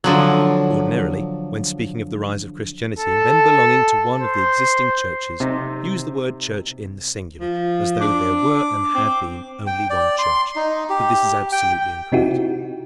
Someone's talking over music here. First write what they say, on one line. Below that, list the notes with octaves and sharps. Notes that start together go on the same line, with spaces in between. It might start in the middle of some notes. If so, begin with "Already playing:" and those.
Ordinarily, when speaking of the rise of Christianity, men belonging to one of the existing churches use the word church in the singular, as though there were and had been only one church. But this is absolutely incorrect.
D3 F3 F#3
A4
C5
C3 D#4
F3
D4 D6
C4
G5
D5
C6
D#4
G4
G5
C3 C4 D#4 E4 F#4 G4